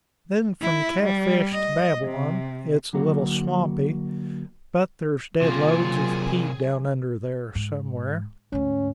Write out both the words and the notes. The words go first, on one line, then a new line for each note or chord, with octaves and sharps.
Then from Catfish to Babylon it's a little swampy, but there's dead loads of peat down under there somewhere.
E4
G3
D#5
C3
D3 F#3 A#3 F#4
C3 F#3 A#3 C4 F4 G#4
G#2
D2 G#2 C#4